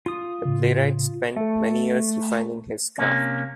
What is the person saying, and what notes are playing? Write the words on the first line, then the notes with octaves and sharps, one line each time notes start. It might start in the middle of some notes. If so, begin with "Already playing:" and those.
The playwright spent many years refining his craft.
F4 D#6
A2 C#3
A3 A4 E5
C3 A#3 C#4